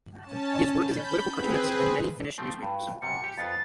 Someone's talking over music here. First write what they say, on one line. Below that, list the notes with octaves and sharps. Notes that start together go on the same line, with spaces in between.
He has worked as a political cartoonist in many Finnish newspapers.
C#4 A5
B5 G6
C4 G#4 B4
F3 A3 C4
G2
F#2 C3 G3 C#7
G4
F2 B3 F4 A6